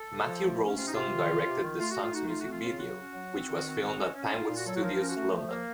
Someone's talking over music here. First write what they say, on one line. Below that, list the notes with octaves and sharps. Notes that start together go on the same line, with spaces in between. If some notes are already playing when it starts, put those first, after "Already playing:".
Matthew Rolston directed the song's music video, which was filmed at Pinewood Studios, London.
Already playing: A4
C#3
F3
A3
C#4
C3 F4
D#4
C3 F4
D#3
C3
C3
D#3
A3 F4
F#4
A3
F4
D#4 F#4
A3 F4
F#4
C4
F4
C#3
F4
F#3 F#4
C#4
F#3
C4
D#3
C4
D#3
C#4
C#4
D#4 F4
A#2
F#4
F#3 A4
F#4
F3 A#4
C#4
F#4
A3
F3
A#3